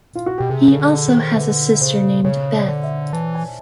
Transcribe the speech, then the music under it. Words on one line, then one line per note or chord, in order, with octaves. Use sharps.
He also has a sister named Beth.
F4
F#4
B2 G4
C3 G#4
C#3 A4
D3
D#3
C5
D3 B4
C#3 C5
C#3 C#5
D5
D3
E5
E3 A5
G#5